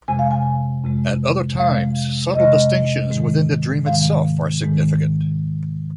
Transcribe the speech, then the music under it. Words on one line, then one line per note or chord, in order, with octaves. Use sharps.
At other times, subtle distinctions within the dream itself are significant.
F2 C3 G#3 G#5
F5
G#5
F2 C3 G#3
F2 C3 G#3 F5
F2 C3 G#3 D#5
G#2 D#3 G#3
G#2 D#3 G#3 F5
G#2 D#3 G#3